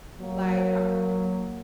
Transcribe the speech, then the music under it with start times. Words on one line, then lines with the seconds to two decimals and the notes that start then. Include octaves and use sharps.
Like, I
0.20 F#3 A#3